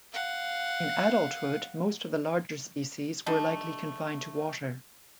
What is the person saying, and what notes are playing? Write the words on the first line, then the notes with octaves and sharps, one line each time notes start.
In adulthood, most of the larger species were likely confined to water.
F5 F#5
G3 A3 D4 D#4